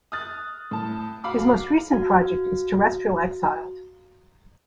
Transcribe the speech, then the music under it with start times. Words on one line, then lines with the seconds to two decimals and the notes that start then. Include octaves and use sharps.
His most recent project is Terrestrial Exiled.
0.12 D#6 F6 F#6 A6
0.71 A2 A5
1.24 F#4 F5 B5 D6
1.91 F#4 F5